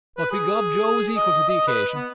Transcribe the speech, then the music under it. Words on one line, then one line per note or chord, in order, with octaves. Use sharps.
But, begob, Joe was equal to the occasion.
B4
G#4
D#5
D#5
B4
B3